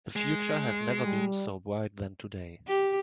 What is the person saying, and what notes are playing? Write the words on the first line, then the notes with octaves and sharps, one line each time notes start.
The future has never been so bright than today.
G#3
G3
G4